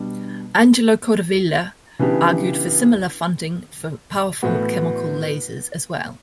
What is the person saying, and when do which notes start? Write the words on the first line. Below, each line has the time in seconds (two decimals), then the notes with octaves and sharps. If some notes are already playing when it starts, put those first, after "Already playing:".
Angelo Codevilla argued for similar funding for powerful chemical lasers as well.
Already playing: B2 G3 D4
1.99 C#3 E3 B3 D4 G4
4.42 A2 E3 B3 F#4